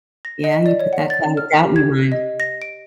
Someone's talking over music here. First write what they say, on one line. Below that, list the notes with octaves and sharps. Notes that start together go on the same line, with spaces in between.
yeah, you put that cloud of doubt in your mind.
A#6
D#5
D5
C#5
F#5
A6
F6
G4
G#6
D#5
A#6
D7